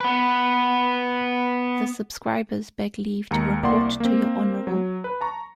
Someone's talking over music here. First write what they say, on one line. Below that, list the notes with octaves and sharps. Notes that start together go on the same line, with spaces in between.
The Subscribers beg leave to Report to your Honorable.
B3 B4
D#2 G#3 A#5 C#7
C2 A#3 D5 F#5 G5 C6
A#3 C4
F#3
B4
A5 A#5 C#6